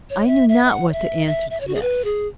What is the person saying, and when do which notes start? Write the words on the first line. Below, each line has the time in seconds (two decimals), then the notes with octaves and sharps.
I knew not what to answer to this.
0.10 C#5
0.27 E5
0.49 E5
0.65 E5
0.70 F#5
0.89 C#5
0.93 E5
1.27 E5
1.50 E5
1.60 C#5
1.67 F#4
1.75 G#4
1.82 B4
2.04 G#4